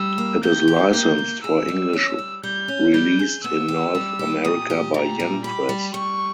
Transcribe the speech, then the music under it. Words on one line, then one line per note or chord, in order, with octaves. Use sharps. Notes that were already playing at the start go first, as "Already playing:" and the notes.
It is licensed for English released in North America by Yen Press.
Already playing: G3 E6
A#3
G4 G6
G4
A#3 G6
D#4
G#4 E6
G3
C#4
G3
G3 G6
C#4
G3 G6
G#4
B3 E6
G4
G3
G4
A#2 D#6
G4
A#2 A#5
G3
G4 B5
G3
G3 C#6